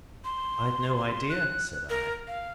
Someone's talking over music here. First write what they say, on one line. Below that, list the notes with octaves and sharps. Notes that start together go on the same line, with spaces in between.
"I'd no idea," said I.
C6
F#6
A#4
F5